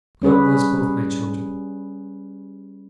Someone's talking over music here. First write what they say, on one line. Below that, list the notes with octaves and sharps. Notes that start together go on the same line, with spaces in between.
God bless both my children!
G3 C#4 G#4 B4